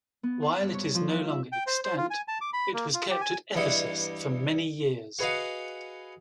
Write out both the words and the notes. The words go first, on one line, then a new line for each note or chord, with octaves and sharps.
While it is no longer extant, it was kept at Ephesus for many years.
B3
C5
G2
C#5
F3
D#4
E5
G5
C5
C5
F4
G#5
A5
D6
B5
A#3
F4
G4
G#5
E2 G2 G3 E4 D#5 F#5
F#4 G#4 B4 D#5 F5 F#5